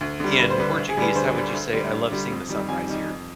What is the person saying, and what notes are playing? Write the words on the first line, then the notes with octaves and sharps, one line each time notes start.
in Portuguese, how would you say, "I love seeing the sunrise here"?
D2
D3 G3
D2 B4
C5
D3 G3 B4
D2
G#4
D3 G3 B4
D2 C5
D3 G3
D2
D3 G3
D2
D3 G3
F2
D#3 G3
F2 G#5
D#3 G3
F2